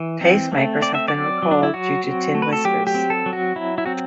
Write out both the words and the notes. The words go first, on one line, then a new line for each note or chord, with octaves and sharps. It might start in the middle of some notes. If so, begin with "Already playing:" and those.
Pacemakers have been recalled due to tin whiskers.
Already playing: E3
C4
A3
C4 D5
E5
D5
F#3
F#3
D4
E4
F#3 F#4
C4
A3
B4
A4
F#3 G4
G4
C4
A4
F#3
F#4
F#3 E4
E4
C4 F#4